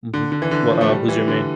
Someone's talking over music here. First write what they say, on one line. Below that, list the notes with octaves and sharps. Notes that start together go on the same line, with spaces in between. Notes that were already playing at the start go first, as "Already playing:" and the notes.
Mhm. Wha uh, who's your main?
D3
D3
E3
D3
F3
A3
G3
E3
D3